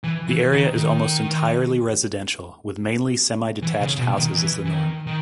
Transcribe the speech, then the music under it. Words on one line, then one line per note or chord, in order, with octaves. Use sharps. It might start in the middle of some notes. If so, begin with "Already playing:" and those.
The area is almost entirely residential, with mainly semi-detached houses as the norm.
E3
E3
D#3
D#3
E3
C#3
B2
D#3
E3
E3
D#3
D#3